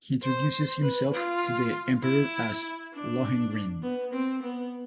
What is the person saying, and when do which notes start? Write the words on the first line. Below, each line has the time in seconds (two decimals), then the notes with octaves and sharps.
He introduces himself to the emperor as Lohengrin.
0.23 C5
0.83 B4
1.13 F4
2.03 E4
2.94 D4
3.83 B3
4.13 C4
4.43 B3